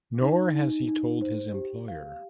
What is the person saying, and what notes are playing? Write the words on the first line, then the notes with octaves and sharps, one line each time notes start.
Nor has he told his employer.
D#4
D#4
D#4
C5
G4
F5